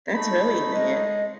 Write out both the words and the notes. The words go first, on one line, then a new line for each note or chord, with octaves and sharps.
That's really neat.
A3 D#4 B5
G#3 D#5